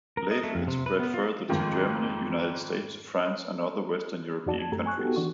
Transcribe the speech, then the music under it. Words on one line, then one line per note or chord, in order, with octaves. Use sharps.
Later it spread further to Germany, United States, France and other Western European countries.
A#4
D#5
A3
F2
C3
B4
B3
F4
F2 G#2 D#3 F3
F2 D#4 F#4 D5 A5
A5 G#6
F#2 A3 G4 A4 A#5
G#5 C#6 F#6
B3 D#4 F#4 G4 A4
E3 D4 F#4 C#6